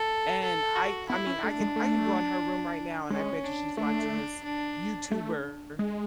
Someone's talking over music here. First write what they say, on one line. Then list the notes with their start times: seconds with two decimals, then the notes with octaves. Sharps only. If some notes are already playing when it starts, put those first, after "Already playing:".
And I I mean, I could I could go in her room right now and I bet you she's watching this YouTuber
Already playing: A4
0.42 A4
0.75 F#4
1.09 B3 E4
1.27 C#4
1.43 A3 D4
1.60 G#3
1.76 A3
3.10 G#3 C#4
3.44 D4
3.77 A3 D4
4.44 D4
5.11 A3
5.79 G#3